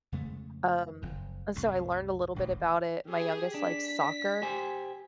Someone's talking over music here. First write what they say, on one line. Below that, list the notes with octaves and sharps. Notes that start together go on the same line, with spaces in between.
um, and so I learned a little bit about it. My youngest likes soccer,
F2 C#3 G#3 A3
F#1 F2
C2 F#2 A2
D#1 A1 E2 D3
G4 G#4
D4 B6
G4 C5 G#5